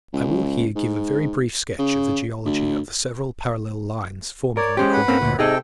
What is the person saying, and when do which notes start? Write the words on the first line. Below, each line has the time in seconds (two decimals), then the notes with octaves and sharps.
I will here give a very brief sketch of the geology of the several parallel lines forming the Cordillera.
0.13 C#2
0.76 G#2
1.79 C#3
2.45 D2
4.57 A#4 C#5 D5
4.77 G#3 C#4 G4 C5
4.93 B4 F#5 B5
5.08 A#3 C4 C#4
5.22 D2 A#2
5.39 C3 D#4 G#4 A4 D#5 G5